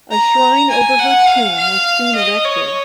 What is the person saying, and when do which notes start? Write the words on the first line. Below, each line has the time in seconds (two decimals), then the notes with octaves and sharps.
A shrine over her tomb was soon erected.
0.11 A#5
0.70 G#5
0.99 F#5
1.28 F5
1.57 F5
2.15 D#5
2.45 C#5